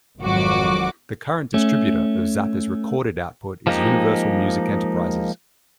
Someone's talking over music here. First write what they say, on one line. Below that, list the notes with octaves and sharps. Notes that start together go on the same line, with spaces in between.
The current distributor of Zappa's recorded output is Universal Music Enterprises.
G#1 F2 F#3 F#4 D6
A3 C#4
F3 G#3 A#3 D#4 G4